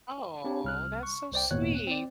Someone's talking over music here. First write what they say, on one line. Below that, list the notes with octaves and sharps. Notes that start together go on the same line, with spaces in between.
Oh, that's so sweet!
C4 D4 G4 C#5
C2 F6 F#6
C#6
C2 C5 D5 G5
G#1 D#2 A#2 B3 C#5 F#6
C4 D5